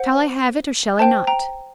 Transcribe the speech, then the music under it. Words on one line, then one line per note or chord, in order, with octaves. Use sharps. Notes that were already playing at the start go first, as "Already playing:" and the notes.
"Shall I have it, or shall I not?"
Already playing: C5 F#5
C5 G5 A5
G5 A#5